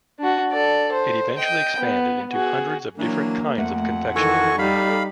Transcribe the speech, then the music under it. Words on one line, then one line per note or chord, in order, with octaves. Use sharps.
It eventually expanded into hundreds of different kinds of confectionery.
D4 F#4
A4 D5
C5
D#5 G5
B3
F#4 G#4
E3 F#3 A#3 D4
F2 A3 F#5
D#3 E3 F#4 A4 G#5 C#6
G3 D#4 F5 B5